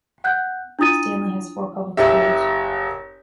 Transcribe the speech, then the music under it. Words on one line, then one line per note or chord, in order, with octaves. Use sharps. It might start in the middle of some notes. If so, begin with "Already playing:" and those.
Stanley has four public schools.
F#5 F#6 G6
D4 E4 F4 D#6 A6 D#7
F#1 G4 E5